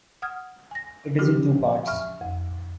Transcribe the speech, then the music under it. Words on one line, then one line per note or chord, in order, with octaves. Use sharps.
It is in two parts.
F#5 D#6 F6 G#6
G#5 A#6
F3 C#4 E4 F#4 G4
E5 G#5 B5 C#6 F6
F2